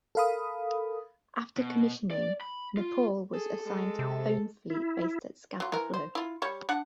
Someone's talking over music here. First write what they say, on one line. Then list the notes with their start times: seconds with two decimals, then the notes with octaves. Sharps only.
After commissioning, "Nepal" was assigned to the Home Fleet, based at Scapa Flow.
0.15 A4 A#4 F5 B5 D#6
1.57 B2
2.11 D5
2.41 B5
2.77 F4
3.33 G#4 A4
3.64 G#3
3.99 C3
4.70 E4
5.60 F#3 F4
5.72 E3 A#4
5.94 C5
6.15 E4 F4
6.42 G3 C#5
6.69 D4 F#5